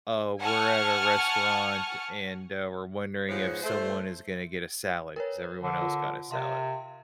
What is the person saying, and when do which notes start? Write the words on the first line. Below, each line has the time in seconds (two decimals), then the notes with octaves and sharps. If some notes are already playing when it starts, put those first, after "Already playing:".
uh, we're at a restaurant and, uh, we're wondering if someone is gonna get a salad, 'cause everyone else got a salad.
0.40 F#5 G#5 A5 C#6 F6 C#7
3.28 G#2 F3 B3 C5 C#5
3.62 A3 C5
5.16 A#4 B4 C#5
5.63 D3
5.81 F4
6.31 C3 A#4 F5 C6